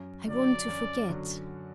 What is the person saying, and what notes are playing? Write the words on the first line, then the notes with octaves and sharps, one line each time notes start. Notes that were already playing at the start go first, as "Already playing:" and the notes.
I want to forget.'
Already playing: F#2
D3 F#3 D5
F#2
D3 F#3